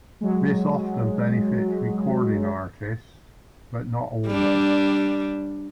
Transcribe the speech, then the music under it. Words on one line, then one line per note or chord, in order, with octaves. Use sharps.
This often benefits recording artists, but not always.
F#3 G#3
G3 D4